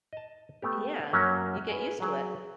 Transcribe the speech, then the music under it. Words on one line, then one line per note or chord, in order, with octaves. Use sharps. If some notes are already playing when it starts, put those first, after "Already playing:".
Yeah. You get used to it.
D#5 A5
A3 B3 G4
F#2 F#3 A#3 C#4
G#4 B4
F#3 G#4